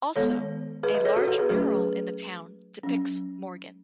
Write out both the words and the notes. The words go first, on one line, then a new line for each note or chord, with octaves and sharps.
Also, a large mural in the town depicts Morgan.
D#3 G#3 B3 A4 C#5
G#4 B4
B4 D#5
A4 C#5
F#4 A4
F#4 A4
G#4 B4
F#3 A3 C#4 G#4 B4
F#3 C#4